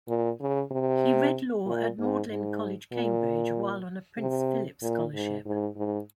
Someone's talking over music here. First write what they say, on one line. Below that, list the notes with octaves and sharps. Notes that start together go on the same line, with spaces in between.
He read law at Magdalene College, Cambridge while on a Prince Philip Scholarship.
A#2
C#3
C3
A#2
G#2
G#2
A#2
C3
A#2
G#2
G#2
G#2